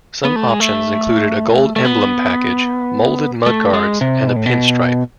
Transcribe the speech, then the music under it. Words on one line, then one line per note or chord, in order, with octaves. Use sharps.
Some options included a gold emblem package, molded mud guards, and a pin stripe.
B3
A3
G#3
A3
A3
B3
A3
G#3
C3
B2
A2
B2